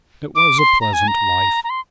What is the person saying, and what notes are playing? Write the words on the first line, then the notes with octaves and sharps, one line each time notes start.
It was a pleasant life.
D6
C6
A#5
G#5
A#5
A#5
C6